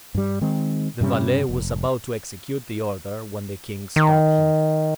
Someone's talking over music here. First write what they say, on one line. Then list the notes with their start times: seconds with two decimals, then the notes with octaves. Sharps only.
The valet was about to execute the order, when the king stopped him.
0.15 G2 G3
0.41 D#3 G#3 C4
1.01 G2 C3 G3 C#4
1.49 F1
3.96 D#3